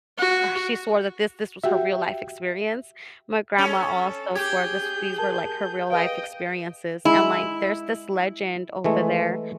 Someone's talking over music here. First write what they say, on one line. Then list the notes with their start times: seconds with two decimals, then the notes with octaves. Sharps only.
ugh, she swore that this this was her real life experience. My grandma also swore this these were, like, her real life experiences, and, like, there's this legend over there,
0.18 F#4
1.64 F#4 G4 E5 F#5 G5
3.58 C#4 A4
4.35 G4 G#4 G6 G#6
5.18 A#4 A5
5.90 G#4 B4 D#5 F5 G5
7.05 G#3 E4
8.84 E3 G#3 A3